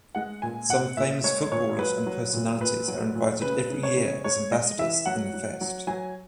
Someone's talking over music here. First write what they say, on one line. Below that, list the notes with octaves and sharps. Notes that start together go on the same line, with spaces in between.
Some famous footballers and personalities are invited every year as ambassadors in the fest.
G#3 F#5
A#2 G#5
A#2 F#5
A#2 E5
G#3 C#5
A#2 C#5
F#3 B4
F#3
A#2
A#2 B4
F#3
A#2
C#3 B4
C#3
C#5
C#3
G#3 C#5
G#3 D#5
E3 E5
F#3 F#5
F#3
F#3
F#3 G#5